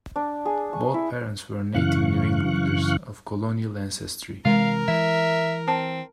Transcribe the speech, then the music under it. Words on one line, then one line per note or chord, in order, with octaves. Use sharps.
Both parents were native New Englanders of colonial ancestry.
D4
G#4
C#6
E4
F#2 C#3 E3 F5 C#6 F#6
C3 E3 G#3 A#4 F5
E3 E5
C4 A5